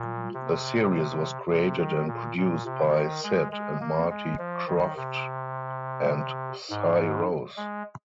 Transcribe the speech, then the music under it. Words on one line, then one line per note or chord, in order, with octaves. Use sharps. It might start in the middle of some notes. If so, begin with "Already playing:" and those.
The series was created and produced by Sid and Marty Krofft and Si Rose.
Already playing: A#2
C3
C3
D#3
A#2
A#2
C3
D#3
G#3
G#3
A#3
G#3
F3
D#3
C3
G#2
G#3